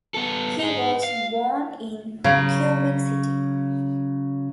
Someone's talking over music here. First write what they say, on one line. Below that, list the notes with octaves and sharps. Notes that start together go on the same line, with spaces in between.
He was born in Quebec City.
B3 A4
D#4 G#4
F5
C#3 F#3